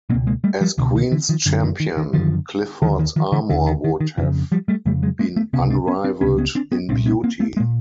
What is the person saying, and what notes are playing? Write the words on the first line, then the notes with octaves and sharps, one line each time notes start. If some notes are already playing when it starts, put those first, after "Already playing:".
As Queen's Champion Clifford's armour would have been unrivaled in beauty.
C#2 B2 A#3 C4
G#3 A#3
G3 A3
F3 G3
C#2 B2 D3
D#3
D3 E3
D#3 F3
F#2 D3
D#3
D#3
D#3
F#2 D3 D#3 F3
D#2 D3 D#3 F3
D#3
D#3 F3
D3 E3
D#2 D3 D#3
D#3
D#3
D#3
F2 C#3 D3 E3
F3 G3
G3 A3
F2 C#3 G3 A3
F#3 G#3
G#3 A#3
A3 B3
C3 B3 C#4
C#2
C4 D4
B3 C#4
C4 D4
C#2 C3 B3 C#4
B3 C#4
C4 D4
B3 C#4
C2 A#2 C4 D4
B3 C#4
A#3 C4
A3 B3
G#3 A#3
A#2